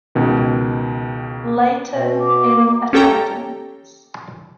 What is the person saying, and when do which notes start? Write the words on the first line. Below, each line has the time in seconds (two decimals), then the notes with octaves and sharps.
Leighton, in attendance.
0.15 C#2 B2 D#3
1.93 B2 E5
2.19 D6
2.56 A#3
2.93 C#4 G4 A4 C#5 G5 A#5